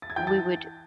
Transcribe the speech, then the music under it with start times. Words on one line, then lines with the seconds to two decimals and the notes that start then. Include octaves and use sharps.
we would
0.02 A6
0.10 G#6
0.16 E3 G5 G6
0.27 A5 A6